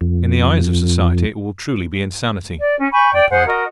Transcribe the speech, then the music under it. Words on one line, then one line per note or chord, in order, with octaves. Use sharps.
"In the eyes of society it will truly be insanity," he replied.
F2
D5
C#4
G#5 B5 C#6 G6
D5 G5
G#4 C5 F#5 G#5
F#4 A#4 D#5